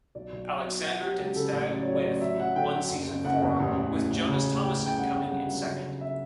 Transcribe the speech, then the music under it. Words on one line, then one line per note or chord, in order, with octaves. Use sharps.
Aleksander Denstad With won season four, with Jonas Thomassen coming in second.
B1 D5
B1
F#3
B2
F#3 F#5
F#3 G4
C#2 G4
C#3 A4
A1
F#3 D5
F#3 C#5
D5
A1
F#3 E5
F#3 F#5
D3 G5
F#3
F#1
F#1
F#1 F#5
E2
A1
A1
A2
A1
C#3
D2
E3 G5
C#3
G5
G1 F#5
G1 G5
G2 F#5
F#3
C#3
C#3
E5